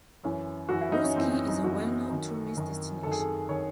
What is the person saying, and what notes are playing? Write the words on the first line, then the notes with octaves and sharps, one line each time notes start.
Roosky is a well known tourist destination.
F#2 E3 C#4
F#2 E3 F#4
E4
D#4
C#4
F#2 E3 C4
C#4
D#4
F#2 E3 F#4
F#2 D#3
F#2 D#3
F#2 D#3 G#4 A4
A4
D#3 C#5